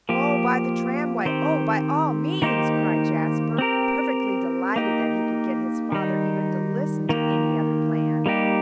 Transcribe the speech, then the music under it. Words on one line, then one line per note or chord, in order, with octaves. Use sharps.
"Oh, by the tramway; oh, by all means," cried Jasper, perfectly delighted that he could get his father even to listen to any other plan.
F3 A#3 G4
D#3 C4 G4 C5
D#3 A#3 D#4 G4 C5
C4 G4 A#4
A#3 D#4 G4
D#3 G3 D#4
D#3 A#3 G4
G3 A#3 D#4 G4